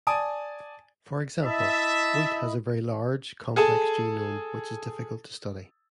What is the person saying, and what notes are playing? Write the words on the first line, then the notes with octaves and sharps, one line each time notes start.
For example, wheat has a very large, complex genome which is difficult to study.
D5 G#5 A5 D#6 D7
E4 D#5 E5 A5
G#4 A4 A5